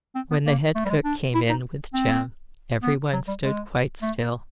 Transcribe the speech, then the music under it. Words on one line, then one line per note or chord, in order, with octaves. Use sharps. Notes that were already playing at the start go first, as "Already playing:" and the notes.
When the head cook came in with Jem everyone stood quite still.
C4
B3
A#3
A3
G3
G#3
D4
E4
D#4
C4
B3
F#3
G3
G#3
A3